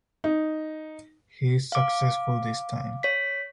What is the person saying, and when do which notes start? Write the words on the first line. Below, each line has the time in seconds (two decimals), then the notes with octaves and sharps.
He is successful this time.
0.24 D#4
1.72 F5 D6
3.03 C#5 B6